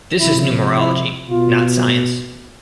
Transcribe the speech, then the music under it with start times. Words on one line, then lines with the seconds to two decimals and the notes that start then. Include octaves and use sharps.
This is numerology, not science.
0.19 C3 F3 E4
0.74 E4
1.30 B2 F4